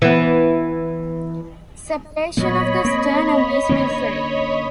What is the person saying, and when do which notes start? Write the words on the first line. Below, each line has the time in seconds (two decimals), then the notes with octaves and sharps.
Separation of the sternum is necessary.
0.02 E3 B3
2.37 A#2 F#3 B3 C#5 D#5 B5
2.85 A#3 C4
3.69 D3 A#3 C#4